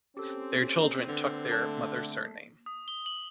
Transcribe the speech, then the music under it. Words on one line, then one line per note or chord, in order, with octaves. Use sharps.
Their children took their mother's surname.
C4 C#4 G4 A4
D3 B4
A3 A5
D#6
G7
F#7